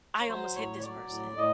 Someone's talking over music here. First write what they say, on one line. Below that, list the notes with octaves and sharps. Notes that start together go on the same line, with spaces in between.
"I almost hit this person."
C#5
F#3 C5
A2 C#5
C#5
F#3 D5
A2
A2 D#5